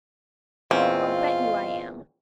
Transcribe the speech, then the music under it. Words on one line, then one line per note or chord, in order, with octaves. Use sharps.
"I'll bet you I am!"
E2 A#2 C4 C#4 F4 D#5 F5